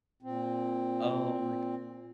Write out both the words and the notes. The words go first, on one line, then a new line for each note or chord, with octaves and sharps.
Oh we're g
A#2 C4